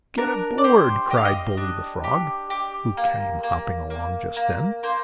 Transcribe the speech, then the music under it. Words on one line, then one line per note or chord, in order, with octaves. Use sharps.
"Get a board!" cried Bully, the frog, who came hopping along just then.
D4 A#4
D5
G4 C5
G4 D#5
F5
D#5
D4
G4
G4
A#3
A#3
A#3
A#3
A#3 C5